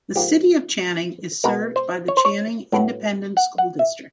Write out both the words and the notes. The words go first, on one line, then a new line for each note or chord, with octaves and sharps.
The City of Channing is served by the Channing Independent School District.
G#2 F3 A#3 G4
B2 G#3 B3 A#4
C5
C#5
C5
C#5
A2 F#3 B3
F#5
F#5
E5